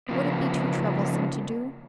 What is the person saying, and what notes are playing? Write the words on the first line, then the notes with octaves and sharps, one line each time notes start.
Would it be too troublesome to do?'
C#3 F3 A#3 B3